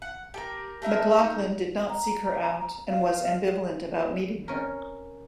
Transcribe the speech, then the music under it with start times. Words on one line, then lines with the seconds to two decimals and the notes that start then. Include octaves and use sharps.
McLachlan did not seek her out and was ambivalent about meeting her.
0.02 F#5
0.34 G4 A4 A#4
0.82 A3 A#4 E5 A#5
1.19 D#4
1.89 A#5
2.89 F5
4.48 C#4 A#4